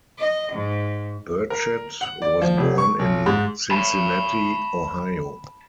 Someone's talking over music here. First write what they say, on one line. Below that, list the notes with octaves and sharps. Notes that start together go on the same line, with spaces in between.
Burchett was born in Cincinnati, Ohio.
D#5
G#2
A#4
F#5
D5
F3
F1
C#6
B1
G#2
A5 B5